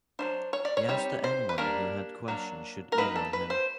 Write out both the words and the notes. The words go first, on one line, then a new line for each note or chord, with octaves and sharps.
He asked that anyone who had questions should email him.
F#3 A#3 D4 C5
C#5
D5
C#5
G3 C4 D#4 C#5
C5
B4
G3 A#3 D4 A#4
F#3 A#3 D4
A#4
F#3 A#3 D#4 B4
A4
B4
C5